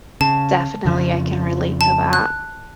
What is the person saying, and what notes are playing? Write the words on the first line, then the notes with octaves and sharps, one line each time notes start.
Definitely I can relate to that.
C#3 A5
F2 C#3 F3
A5
F#6